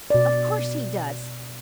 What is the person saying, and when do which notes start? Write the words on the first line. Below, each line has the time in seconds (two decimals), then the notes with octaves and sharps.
Of course he does.
0.10 B2 D5